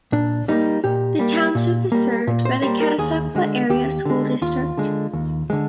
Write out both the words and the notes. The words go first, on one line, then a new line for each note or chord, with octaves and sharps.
The Township is served by the Catasauqua Area School District.
A#2 D4
G3 A#3 D#4
A#2 G4
G3 A#3
A#2
G3 A#3
A#2
C5
G3 A#3 C5
A#4
D#2 G#4
D3 G#3
D#2 G4
D3 G#3
D#2 F4
D3 G#3
D#2
D3 G#3